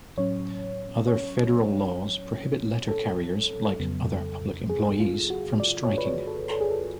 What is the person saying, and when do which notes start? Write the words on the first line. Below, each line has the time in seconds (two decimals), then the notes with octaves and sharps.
Other federal laws prohibit letter carriers, like other public employees, from striking.
0.17 A2 F#3 C#4 C#5
1.08 C#5
2.88 A4
3.80 F2 C#3 F#3 B3
4.70 G#4
5.00 F4
5.30 F#4
5.60 D5
5.83 C#5
5.98 B4
6.06 C#5
6.28 A4
6.50 A4
6.61 G#4
6.71 A4